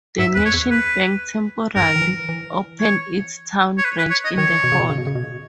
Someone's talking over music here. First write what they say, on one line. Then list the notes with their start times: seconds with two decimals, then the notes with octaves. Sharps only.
The National Bank temporarily opened its town branch in the hall.
0.19 G#2 E5
0.35 E2 B4
0.45 C#5
0.54 E2
0.71 B4
1.76 G2 A#4
1.96 D#3
2.02 E3
2.29 E3
2.81 C#5
3.78 C#5
3.85 B4
3.98 B4
4.11 C#5
4.25 D#5
4.38 D#3 C#5
4.64 B2
4.72 C#3
4.80 B2
4.90 C#3
4.98 B2
5.07 C#3
5.15 B2